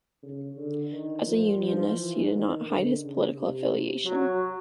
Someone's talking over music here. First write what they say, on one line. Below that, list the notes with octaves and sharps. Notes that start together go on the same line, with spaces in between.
As a unionist, he did not hide his political affiliation.
C#3
D3
D#3
F3
F3
E3
D#3
D3
C#3
C3
F#3